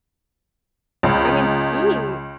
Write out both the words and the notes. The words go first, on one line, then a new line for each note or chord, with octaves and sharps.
I mean, skiing
C#2